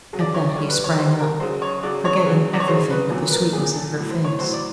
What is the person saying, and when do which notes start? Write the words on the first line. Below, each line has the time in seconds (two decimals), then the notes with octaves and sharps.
At that he sprang up, forgetting everything but the sweetness of her face.
0.13 C#3 F#3
0.20 D5
0.34 C#5
0.49 D5
0.56 D3 G3 C#5
0.69 B4
0.84 C#5
0.98 D3 G3 C5
1.19 A#4
1.40 C#3 F#3 C5
1.62 C#5
1.83 C#3 F#3 D5
2.05 C#5
2.26 C#3 F#3
2.53 D5
2.60 C#5
2.68 C#3 F#3 C5
2.90 B4
3.10 A#2 F#3
3.27 B4
3.32 A#4
3.53 F#3 G#4
3.57 A#2
3.74 A4
3.96 A2 F#3
4.10 C5
4.24 C#5
4.39 A2 F#3 C5
4.53 D5